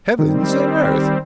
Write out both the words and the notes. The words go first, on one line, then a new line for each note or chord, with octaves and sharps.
Heavens and earth!
D#3 G3 C4